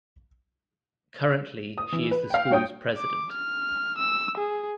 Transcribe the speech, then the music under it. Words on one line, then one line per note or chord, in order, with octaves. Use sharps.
Currently she is the school's president.
D#6
E3
B4
F5 G5
G2 F#4 C#5 G5 D#6
D6
F6
E6
G#4